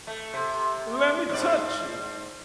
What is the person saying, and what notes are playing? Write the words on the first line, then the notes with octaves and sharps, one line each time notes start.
Let me touch you!
A3
C3
G#2 D5